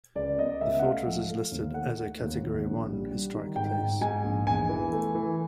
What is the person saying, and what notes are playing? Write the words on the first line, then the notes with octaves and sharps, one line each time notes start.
The Fortress is listed as a Category One Historic Place.
C#2 D5
B3 D#5
C#2 E5
F#5
A3 F5
F3
A3
D#2
A3 F#5
A3
D#2
D#2
A#1
G3
G3
D#3
G#2 G5
G#2
G#2 G#5
A#1
E2 G#5
E3
A3
E3